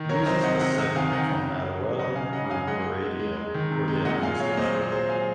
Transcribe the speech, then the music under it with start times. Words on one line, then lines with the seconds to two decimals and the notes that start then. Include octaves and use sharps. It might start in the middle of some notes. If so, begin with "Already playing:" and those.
Uses the segment from Alajuela through Heredia toward the Atlantic station.
Already playing: D#3
0.09 F#3 A#4 C#5
0.26 C3 C5 D#5
0.43 C3 D#5 F#5
0.60 C3 D#5 F#5
0.78 C3 D#5 F#5
0.95 D#3 F5 G#5
1.12 D#3 D#5 F#5
1.29 C#3
1.47 F#3
1.65 F#3
1.81 F#3
1.99 C#3 D#5 F#5
2.16 C#3 F5 G#5
2.33 C#3 D#5 F#5
2.50 F#3 F5 G#5
2.67 G#3 D#5 F#5
2.85 G#3
3.02 G#3
3.20 G#3
3.37 G#3
3.54 D#3
3.71 C3
3.88 G#3
4.05 A#2 D#5 F#5
4.22 A#2 F5 G#5
4.40 F#3 C#5 F5
4.57 A#2 C5 D#5
4.74 A#2 G#4 C5
4.92 F#3 G#4 C5
5.09 F#3 F5 G#5